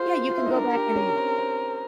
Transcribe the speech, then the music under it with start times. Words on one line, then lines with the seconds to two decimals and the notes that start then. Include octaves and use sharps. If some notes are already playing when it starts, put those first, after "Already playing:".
Yeah, you can go back and
Already playing: F4 F#4 G#4 C5
0.29 F4
0.37 E4
0.46 D#4
0.54 D4 A#4
0.75 G4
0.96 C#4
1.17 C4
1.38 C4